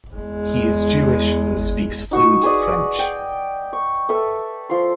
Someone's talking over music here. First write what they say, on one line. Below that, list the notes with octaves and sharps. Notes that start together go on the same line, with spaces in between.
He is Jewish and speaks fluent French.
E2 G#3
D#4 F#4 C#6 E6
G#4 B4 D5 D#5
G5
C#6
A4 B4 E5
F3 C6